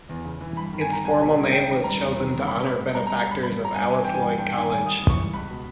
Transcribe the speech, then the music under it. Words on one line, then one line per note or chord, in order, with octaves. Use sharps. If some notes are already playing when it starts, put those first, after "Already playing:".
Its formal name was chosen to honor benefactors of Alice Lloyd College.
E2
C#3
E3
G2 B5
D#3
G#5
G3 A#5
C#2 G#5
B2
G3
G#2 G5
D#3
G3 A#5
E2
D#3
G3
G3 B5
G3
G#2
G3 A#5
A#5
G3
A#5
G2 B5
G3 B5
G3
A#5
G2 G#5
G2 G#5
E3 G5
G#5
G3
G2 G5
D#3 G#5
G3 G#5
G#2 D#6
E3
C#6
G3
C#2 B5
B2